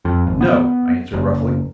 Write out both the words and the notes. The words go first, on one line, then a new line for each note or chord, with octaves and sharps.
"No," I answered roughly.
F2
G#1
B3
F#1